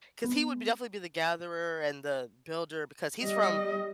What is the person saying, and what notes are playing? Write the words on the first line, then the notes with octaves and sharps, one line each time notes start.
'Cause he would b definitely be the gatherer and the builder because he's from,
B3
G3 D#5